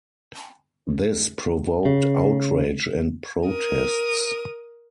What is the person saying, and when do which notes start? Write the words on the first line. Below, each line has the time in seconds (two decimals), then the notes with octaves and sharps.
This provoked outrage and protests.
1.85 C#3
3.46 A#4 D#6